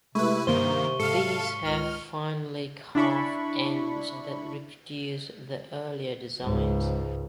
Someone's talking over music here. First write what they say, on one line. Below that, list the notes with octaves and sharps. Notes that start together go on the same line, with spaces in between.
These have finely carved ends that reproduce the earlier designs.
C3 G#3 A3 E4 B4 C#6
G2 D#3 A#3 C5 G7
G#2 A4 F5 C#7
C#2 F6
D4 E4 B5 C#6
C#2 G#2